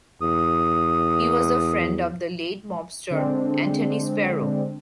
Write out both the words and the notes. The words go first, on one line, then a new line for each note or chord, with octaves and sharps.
He was a friend of the late mobster, Anthony Spero.
E2 D#6
D3 G#3 C4 D4